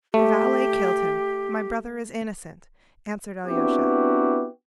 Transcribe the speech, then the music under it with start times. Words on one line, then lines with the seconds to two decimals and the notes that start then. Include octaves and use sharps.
"The valet killed him, my brother is innocent," answered Alyosha.
0.14 A3 G4
3.47 B3 C4 D4 E4 F#4 G4